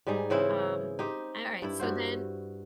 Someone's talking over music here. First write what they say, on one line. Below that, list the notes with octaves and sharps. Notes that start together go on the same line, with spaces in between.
Um, an all right, so then
G#2 G3 D#4 G#4
C#3 E3 C4 E4
D#4 G4 C5
G2 E4
G2 F#4 C5